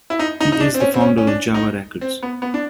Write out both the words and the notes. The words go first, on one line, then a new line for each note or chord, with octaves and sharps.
He is the founder of Java Records.
E4
D#4
D#4
D#4
D4
C4
C#4
C4
C#4
C#4
D4
D#4
C4
B3
B3
D4